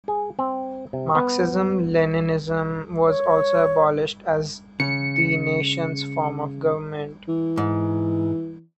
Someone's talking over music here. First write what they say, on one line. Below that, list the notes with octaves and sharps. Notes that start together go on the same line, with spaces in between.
Marxism-Leninism was also abolished as the nation's form of government.
G#4
C4
C3
B3
C#5
C#3 C#7
E3
G#2